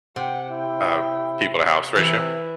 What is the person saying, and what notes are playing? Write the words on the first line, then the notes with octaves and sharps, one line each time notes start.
uh, people to house ratio
C3 F#5 G5
E4 G5
C3 E3 E4 B4 E5